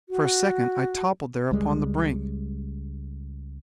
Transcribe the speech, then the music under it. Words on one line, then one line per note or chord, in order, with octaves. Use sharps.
For a second I toppled there upon the brink.
F#4
C#2 G3 G#3